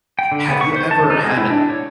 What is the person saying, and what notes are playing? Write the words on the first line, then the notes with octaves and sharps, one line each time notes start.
have you ever had a
G5
D3
B3
C#6
C5
A5
D#4
G#3
E4
D4
C#5